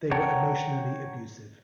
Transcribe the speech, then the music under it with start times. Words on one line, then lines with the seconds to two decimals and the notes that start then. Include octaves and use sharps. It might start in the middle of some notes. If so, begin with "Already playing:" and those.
They were emotionally abusive.
0.11 C#5 F#5 G5 A5 A#5